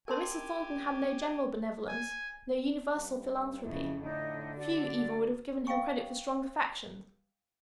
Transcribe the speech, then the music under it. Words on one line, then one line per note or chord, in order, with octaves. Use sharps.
But Mr. Thornton had no general benevolence,--no universal philanthropy; few even would have given him credit for strong affections.
G4 A#4 G#5 A5 C6
G#5
G2
F2 C#3 E4
A2 D3 D#4 D#5
F#4 D5
D#5 F5 G5 G#5 C#6